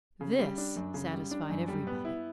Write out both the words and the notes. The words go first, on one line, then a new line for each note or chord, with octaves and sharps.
This satisfied everybody.
C#3
G3
D4
F#2
C#3
G3
D4
F#2
G3
B3
E4